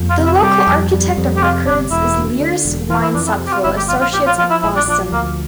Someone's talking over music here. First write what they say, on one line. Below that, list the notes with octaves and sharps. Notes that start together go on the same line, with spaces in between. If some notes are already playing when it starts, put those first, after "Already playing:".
The local architect of record is Leers Weinzapfel Associates, of Boston.
Already playing: F2
F4
C3
E4
G3 G4
F2
G3
F2
G4
C3 F4
G1 D4
E1 E4
D2
D3
E1
E3 F4
E4
F2 D4
E4
C3
G4
F4
G1 E4
G4
A#1 F4
F4
A#2 G4
F4
F3 F4
E4
A#1 E4
D4
F3 D4
D2 A#3